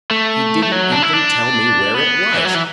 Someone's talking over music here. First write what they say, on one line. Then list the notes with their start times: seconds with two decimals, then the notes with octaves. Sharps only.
He didn't even tell me where it was!
0.11 A3
0.63 A3
0.72 F#3
0.92 D4
1.02 E4
1.13 D4
1.94 B3
2.34 E3
2.45 F#3
2.55 E3